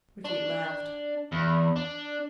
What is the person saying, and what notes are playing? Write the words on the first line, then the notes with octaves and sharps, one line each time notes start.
Rickie laughed.
D4
E2
D4